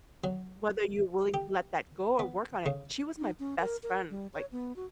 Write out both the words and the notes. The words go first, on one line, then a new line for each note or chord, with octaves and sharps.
Whether you're willing to let that go or work on it. She was my best friend. Like
F#3
G4
B3
C#3
D#4
C#4
A#4
A#4
G3
C#5
B3
F#4